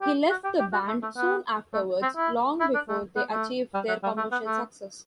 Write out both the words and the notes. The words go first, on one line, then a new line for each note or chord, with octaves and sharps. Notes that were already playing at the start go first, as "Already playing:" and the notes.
He left the band soon afterwards, long before they achieved their commercial success.
G4
F#4
G4
G4
F#4
A3
A3
B3
A3
C4
E4
E4
D4
A3
B3
A3
G3
F#3
G3
A3
B3
A3